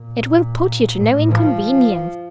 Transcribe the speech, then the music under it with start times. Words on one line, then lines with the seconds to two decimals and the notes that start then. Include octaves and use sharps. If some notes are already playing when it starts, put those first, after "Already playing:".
It will put you to no inconvenience.
Already playing: A#2
0.96 A2
1.32 F3